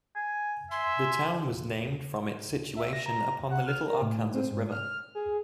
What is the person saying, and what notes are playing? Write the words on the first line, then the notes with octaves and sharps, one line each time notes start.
The town was named from its situation upon the Little Arkansas River.
G#5
E5 G#5 C6
E5
A#6
A#5
F#5
F6
A#4
A2
C4
G#2
F6
G#4